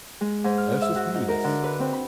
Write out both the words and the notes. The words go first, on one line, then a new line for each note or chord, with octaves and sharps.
Ursus knew this.
G#3
G#2
F6
E5
F#4
D#4
A#4
D3
B4
C4
B5